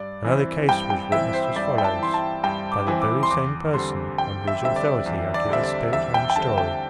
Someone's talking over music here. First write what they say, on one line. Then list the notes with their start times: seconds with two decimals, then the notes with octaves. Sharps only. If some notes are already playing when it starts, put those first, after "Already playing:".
Another case was witnessed as follows, by the very same person on whose authority I give the spirit-hand story.
Already playing: G2 D5
0.25 E3 C4 E4
0.69 G2 G5
0.90 G5
1.12 E3 C4 E4 E5
1.34 C5
1.56 G2 D5
1.78 G5
1.84 A5
1.99 E3 C4 E4 C6
2.14 A5
2.44 G2 G5
2.72 D6
2.87 E3 C4 E4
3.02 D6
3.23 C6
3.31 E2 D6
3.74 D3 G3 C4 C6
4.18 E2 G5
4.47 E5
4.62 D3 G3 C4 E5
4.76 D5
5.06 E2
5.34 D5
5.49 D3 G3 C4 E5
5.63 D5
5.93 E2 E5
6.14 G5
6.30 G5
6.36 D3 G3 C4 A5
6.58 G5